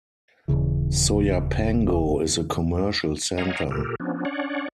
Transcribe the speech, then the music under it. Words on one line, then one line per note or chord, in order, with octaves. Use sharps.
Soyapango is a commercial center.
D#1 C#2 C#3 E3
C#5 D#5 F5 F#5 G#5 A#5
A#2 G4 A4 A#4
F3 B3 C#4 D4
C#4 D4 C#5 D5 F#5